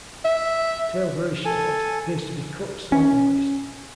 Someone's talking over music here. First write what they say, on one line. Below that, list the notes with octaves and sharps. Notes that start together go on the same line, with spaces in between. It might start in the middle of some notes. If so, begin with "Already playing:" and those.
Tail very short, appears to be cut slant-wise.
E5
A4 G#5
C#4